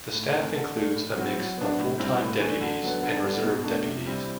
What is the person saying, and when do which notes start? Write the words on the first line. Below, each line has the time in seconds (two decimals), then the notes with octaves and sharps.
The staff includes a mix of full-time deputies and reserve deputies.
0.13 A2
0.34 E3 A3 C4
0.54 D3
0.75 A3 D4
0.95 A2
1.16 F#3 C4 E4
1.37 F#3
1.57 B3 D4
1.79 A2
1.98 G3 C4 E4
2.20 A2
2.40 E3 A3 D4
2.61 D3
2.82 F#3 B3
3.03 D3
3.24 G3 B3 D4
3.44 B2
3.64 A3 D4
3.84 C3
4.06 G3 C4 E4